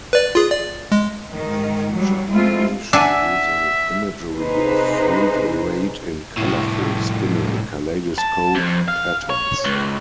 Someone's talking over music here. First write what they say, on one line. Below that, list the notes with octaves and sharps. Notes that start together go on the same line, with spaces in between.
They featured animation using imagery of fruit arrayed in colorful, spinning kaleidoscope patterns.
B4 D5
F4 G#4
D5
G#3
G#2 D#3
F#3 G3
G#3 A3 C4 E4 F4
D4 E5 F#5 G#5 E6
C3 D#4 G#4 B4 C5
C2 A2
A5
F2
F5
C#5
C#2